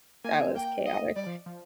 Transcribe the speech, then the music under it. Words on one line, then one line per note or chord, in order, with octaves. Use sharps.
That was chaotic.
A#3 G#5
C4
A#3 G5
D#5
G3 D5
F3
F3